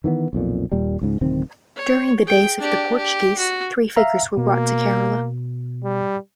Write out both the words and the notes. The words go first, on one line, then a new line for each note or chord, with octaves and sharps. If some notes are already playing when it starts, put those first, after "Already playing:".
During the days of the Portuguese, three figures were brought to Kerala.
D#3 E3 A#3 B3
B1 F2 A#2
D#1 D#2 A#2 G3
C#2 G#2
D1 C3 D#3 C4
C#5
G#4 G5
D4 G4
G4
F#4
E5 F5 A#5
B2 A#3
G3